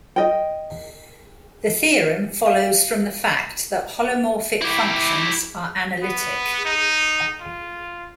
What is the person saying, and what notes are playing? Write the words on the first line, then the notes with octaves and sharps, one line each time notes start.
The theorem follows from the fact that holomorphic functions are analytic.
D#5 G5
F5
E4 G4
B3
D#4
F4